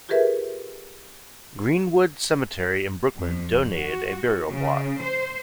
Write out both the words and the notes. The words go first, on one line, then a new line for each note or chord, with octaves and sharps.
Green-Wood Cemetery in Brooklyn donated a burial plot.
F4 G4 G#4 A#4 B4 E5
F2
F#4
C#3
C5